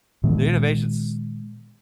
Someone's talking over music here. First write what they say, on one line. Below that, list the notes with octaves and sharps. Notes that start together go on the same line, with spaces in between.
The innovation's
A#2 D#3 G#3 B3